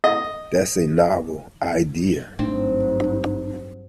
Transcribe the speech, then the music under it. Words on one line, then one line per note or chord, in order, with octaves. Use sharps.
That's a novel idea.
D#5
G#1 G2 F#3 A3 C4 D4 D#4